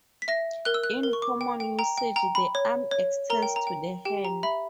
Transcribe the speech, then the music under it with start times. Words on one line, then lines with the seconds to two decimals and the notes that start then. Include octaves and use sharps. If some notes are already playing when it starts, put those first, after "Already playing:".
In common usage the arm extends to the hand.
0.22 B6
0.28 E5 A#6
0.65 A#4 F#6
0.74 E6
0.83 F#6
1.03 A#4
1.13 C#6
1.22 D6
1.41 G5
1.60 G5
1.79 G5 A#5
1.98 G5
2.16 G5 A#5
2.35 B5
2.55 C#5
2.91 C#5
3.30 A#4 A#5
3.43 G5
3.56 A#5
3.67 G5
4.05 G4 G5
4.25 A#5
4.43 E5 B5